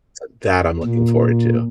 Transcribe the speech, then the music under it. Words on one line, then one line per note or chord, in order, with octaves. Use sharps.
So, that I'm looking forward to.
A#2